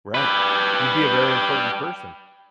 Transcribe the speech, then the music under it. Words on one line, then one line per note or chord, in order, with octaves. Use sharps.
Right, you'd be a very important person.
G4 B4